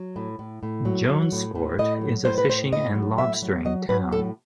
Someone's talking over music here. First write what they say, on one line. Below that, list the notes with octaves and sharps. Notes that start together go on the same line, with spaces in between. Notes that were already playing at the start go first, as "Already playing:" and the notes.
Jonesport is a fishing and lobstering town.
Already playing: F#3
A2
A2
A2
F#3
F#3
A2
A2
A2 D#5
F#3
A2 C5
B4
A2 C5
A2 D#5
F#3
A2 E5
F#3
F#3 D#5
F#3 B4
A2 A4